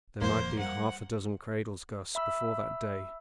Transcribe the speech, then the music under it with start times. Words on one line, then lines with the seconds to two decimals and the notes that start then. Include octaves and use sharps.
There might be half a dozen cradles, Guss, before that day.
0.21 D#1 F2 F3 A#3 C5
0.60 G3 F#5
2.15 E5 B5 E6